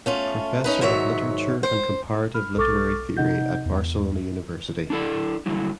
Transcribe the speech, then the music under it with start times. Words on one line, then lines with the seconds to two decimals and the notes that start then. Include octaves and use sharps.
Professor of Literature and Comparative Literary Theory at Barcelona University.
0.06 A3 C#4 F4
0.64 C#4 D#4 B4
0.81 G#2 D#3 F#3 C#5 E5
1.63 C5
2.34 B5 F6
2.57 B1 A4 C#6 D6 F6 A6
3.17 C3 D#4 D#5 F#5 G6
3.65 E2
4.90 D4 E4 A4 D5
5.46 D3 F#3 G3 E4